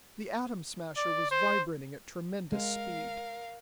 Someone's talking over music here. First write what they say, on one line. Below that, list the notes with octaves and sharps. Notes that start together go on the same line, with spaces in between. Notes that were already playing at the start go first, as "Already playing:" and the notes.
The Atom Smasher was vibrating at tremendous speed.
D5
C5
G#3 A#4 F5